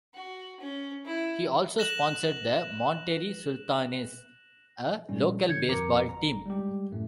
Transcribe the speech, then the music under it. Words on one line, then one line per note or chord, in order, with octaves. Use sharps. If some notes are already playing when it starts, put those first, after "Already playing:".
He also sponsored the Monterrey Sultanes, a local baseball team.
F#4
C#4
E4
F#6 A#6 E7 F#7
A#2 G3 C#4
D3 G6 G#6 C#7
F2 A#4 A#5 D6 C#7
G1 A#5
G3 G#3 G4
F#2 A2 A3